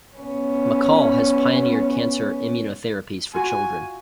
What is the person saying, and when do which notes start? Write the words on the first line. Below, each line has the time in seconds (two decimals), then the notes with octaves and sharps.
Mackall has pioneered cancer immunotherapies for children.
0.16 B3 C#4
3.34 F4 F#4 G#5